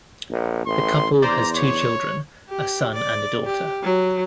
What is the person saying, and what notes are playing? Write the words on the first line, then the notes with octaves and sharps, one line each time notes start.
The couple has two children: a son and a daughter.
A#1
A1 C6
E2 C5 D5 A#5
C#5
G4
D5
G4
F#3